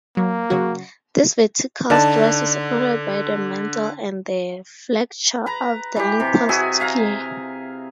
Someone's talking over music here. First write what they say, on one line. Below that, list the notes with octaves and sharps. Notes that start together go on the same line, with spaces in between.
This vertical stress is supported by the mantle and the flexure of the lithosphere.
F#3 A#3
C#3 F#3 F#4
D3 D#4 D5 A5
B4 A#5
E3 G4
C3
F#4 G#4 E5 G#5
E5 F5 A#5